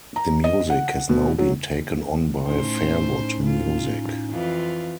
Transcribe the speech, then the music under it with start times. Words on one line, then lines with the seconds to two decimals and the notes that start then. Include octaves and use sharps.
The music has now been taken on by Fairwood Music.
0.16 A#5
0.44 D#5
0.70 F#5
1.09 B2
1.38 F#3
2.45 A2 A3 C#4 D#4 C5
3.43 F4
4.30 F2 E3 F4